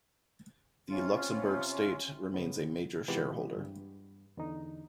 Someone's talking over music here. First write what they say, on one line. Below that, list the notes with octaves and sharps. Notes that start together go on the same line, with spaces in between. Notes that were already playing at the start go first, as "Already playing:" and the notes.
The Luxembourg State remains a major shareholder.
C3 C#4 F4
C#3 B3
C3 E3 G#3 B3 F4 G4
G2
E2 D3 D#4